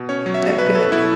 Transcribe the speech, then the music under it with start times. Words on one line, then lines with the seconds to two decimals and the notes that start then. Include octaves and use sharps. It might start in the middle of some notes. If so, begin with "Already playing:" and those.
That good.
Already playing: B2
0.09 C#4 C#5
0.26 F#3
0.34 E5
0.43 B2
0.59 F#3 B4
0.75 B2 A4
0.92 B2 E4